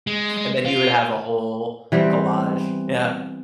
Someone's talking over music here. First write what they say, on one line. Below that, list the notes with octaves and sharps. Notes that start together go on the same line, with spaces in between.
and then you would have a whole collage. Yeah.
G#3
F4
E3 G3 B3 C4